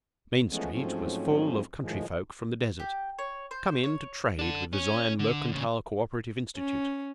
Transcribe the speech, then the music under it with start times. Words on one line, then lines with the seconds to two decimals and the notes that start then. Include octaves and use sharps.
Main Street was full of country folk from the desert, come in to trade with the Zion Mercantile Co-operative Institute.
0.50 E3 F3 G#3 A3 B3 C#4
0.71 G#2 F3 F#3 A3 C4 C#4
1.80 A2 D#3 F3 G#3
2.79 G4
3.19 C#5
3.51 C5
3.83 C#5
4.39 D4 A4
4.73 C#4
5.19 D3
5.52 D#2 C#3
6.57 C#4